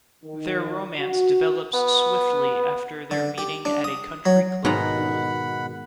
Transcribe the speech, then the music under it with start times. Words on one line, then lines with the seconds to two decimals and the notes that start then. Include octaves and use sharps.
Their romance develops swiftly after their meeting at a country-club pool.
0.23 D#3
1.00 F#4
1.74 B3
3.11 D3
3.38 G4
3.65 D4
3.84 D#6
4.26 F#3
4.65 G#2 B2 D#3 F#5 A#5 B5